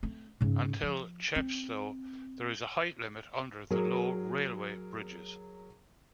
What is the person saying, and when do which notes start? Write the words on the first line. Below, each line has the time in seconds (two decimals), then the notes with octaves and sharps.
Until Chepstow, there is a height limit under the low railway bridges.
0.03 A3 C4
0.41 G#2 C#3
0.83 F3
1.36 C4
3.71 F#3 G#4 A#4